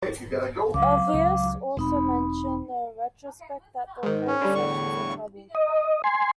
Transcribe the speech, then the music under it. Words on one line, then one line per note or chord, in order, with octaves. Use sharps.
Ulvaeus also mentioned in retrospect that the recording sessions were troubled.
C#2 F#3 F5 D6
C#2
E1 C4 D#4 B5
G#2 D#3
C#4
D3 G3
E2 A2 C#6
D#5
G#5 C6